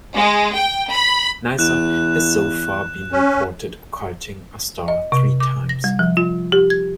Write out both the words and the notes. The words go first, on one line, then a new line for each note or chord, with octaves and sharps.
Nysa has so far been reported occulting a star three times.
G#3
G5
B5
E2 F#6 E7
C#4
D#5
C3
D6
A#6
G3
F3
F4
G4
G#6